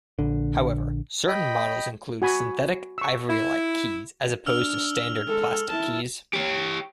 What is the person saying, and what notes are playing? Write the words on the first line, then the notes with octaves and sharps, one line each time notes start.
However, certain models include synthetic ivory-like keys as opposed to standard plastic keys.
A#1 D3
D#5 G5 B5
F#4 G#5 B5
C#6 E6
E4
D4 E6 F6 F7
G#3 A4
E4 A5
G4 C#5